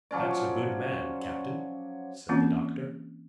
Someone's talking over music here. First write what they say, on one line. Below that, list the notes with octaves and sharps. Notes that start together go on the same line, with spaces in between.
"That's a good man, captain," said the doctor.
F3 F#3 C#4 D5
E3 A#3 C4 C#4 F4